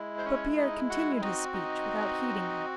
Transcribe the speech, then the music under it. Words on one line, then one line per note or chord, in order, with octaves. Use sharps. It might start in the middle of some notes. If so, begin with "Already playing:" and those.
But Pierre continued his speech without heeding her.
Already playing: G#3 E4
C5
C#4 C#5
D#4 D#5
F#4 F#5
C4 D#4 F#4 D#5
D#4 D#5